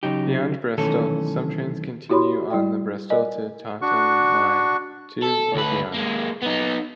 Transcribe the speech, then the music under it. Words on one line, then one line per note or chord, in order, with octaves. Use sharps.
Beyond Bristol, some trains continue on the Bristol to Taunton Line to or beyond.
C#3 F#3 D#4 G4
B1 D#3 E3 A3 C#4 A4
E4 F#4 G4 C#5 B5 C6
G3 E4 D5 G5
A#4 D5 D#5 G#5
D4 F#4 C#6
A4
D2 B4
G#3 A#3
B3 D#4